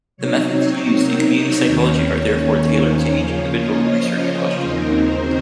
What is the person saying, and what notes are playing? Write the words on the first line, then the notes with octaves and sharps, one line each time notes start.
The methods used in community psychology are therefore tailored to each individual research question.
C3 F#3 C4 D#4 C#5
A#4
C#5
D#2 D#3 A#3 C#4
C5
C#3 F3 A#3 C#4 F4 C#5
D#5
C5
C5
D#2 C#3 F#3 C4 D#4 A#4
C5